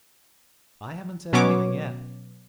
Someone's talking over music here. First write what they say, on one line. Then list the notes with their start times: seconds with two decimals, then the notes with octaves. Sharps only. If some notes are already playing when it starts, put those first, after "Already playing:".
"I haven't said anything yet."
1.33 B2 F#3 B3 C#4 C#5 D6